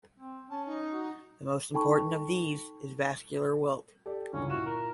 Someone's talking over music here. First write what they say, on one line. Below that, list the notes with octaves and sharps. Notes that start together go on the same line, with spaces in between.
The most important of these is vascular wilt.
C4
C#4 A5
D#4
F#4
D#4 A4 G5 A5 B5 C#6
G4 A4 D5
G1 C#2 C#4
A#2 E4 F#4 E7
A#4